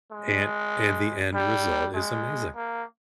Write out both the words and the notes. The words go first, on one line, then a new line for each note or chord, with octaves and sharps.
and and the end result is amazing.
G#3
G3
G#3
A#3